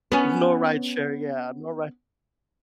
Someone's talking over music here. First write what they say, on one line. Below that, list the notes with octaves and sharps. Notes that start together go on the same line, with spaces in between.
no rideshare, yeah, no ri
B3 C#4